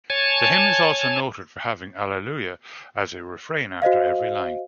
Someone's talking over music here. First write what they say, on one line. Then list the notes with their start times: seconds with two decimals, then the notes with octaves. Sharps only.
The hymn is also noted for having Alleluia as a refrain after every line.
0.10 C#5 G#5 A5
3.82 F#4 C5 D#5 F5